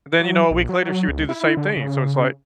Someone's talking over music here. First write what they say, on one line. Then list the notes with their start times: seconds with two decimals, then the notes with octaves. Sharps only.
then, you know, a week later, she would do the same thing. So it's like
0.20 F#3
0.51 A#1
0.69 F#3
1.09 C#2
1.29 E4
1.57 D3
1.77 C#3